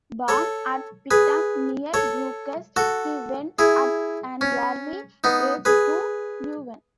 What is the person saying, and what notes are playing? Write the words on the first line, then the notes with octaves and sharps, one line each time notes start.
Born at Pittem near Bruges, he went at an early age to Leuven.
A4 C#5
G#4 B4
A4 C#5
F#4 A4
E4 G#4
C#4
B3 D#4
G#4 B4